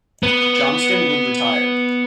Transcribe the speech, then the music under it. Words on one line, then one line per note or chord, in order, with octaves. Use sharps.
Johnston would retire.
B3